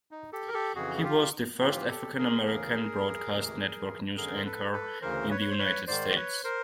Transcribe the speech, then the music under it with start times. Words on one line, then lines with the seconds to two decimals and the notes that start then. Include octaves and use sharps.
He was the first African-American broadcast network news anchor in the United States.
0.11 D#4
0.33 G4 A4
0.48 A#4
0.53 G4 A4
0.75 F2 C#3 E3 F#4 G#4
0.97 G#4
1.04 F4 G4
1.60 G#2 E3 F4 G4
1.89 G4 A4
2.17 G#4 A#4
2.46 E2 C#3 E3 G#4 A#4
3.32 D2 C3 E3
4.17 F#2 D3 G#4 A#4
4.36 C5
4.45 A4 B4
4.73 A4 B4
5.02 D2 C#3 E3 A#4 C5
5.31 B4 C#5
5.41 B4
5.50 C5
5.59 B4 C#5
5.87 G#2 D#3 C5 D5
6.10 D5
6.16 B4 C#5
6.44 A#4 C5